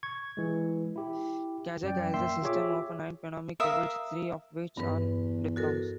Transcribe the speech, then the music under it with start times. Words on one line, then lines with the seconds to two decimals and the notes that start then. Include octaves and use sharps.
Kazakh has a system of nine phonemic vowels, three of which are diphthongs.
0.03 C#6 G#6
0.37 E3 G#3
0.96 E4 G4
1.83 F#2 D5 G5
2.14 A#3 E5 G5 C6 E6
2.42 F4 G4 G#4 C#5 E5 D6
3.60 A#4 E5 F5 D#6
4.77 E2 G2 B4
5.56 F#4 A4 A#4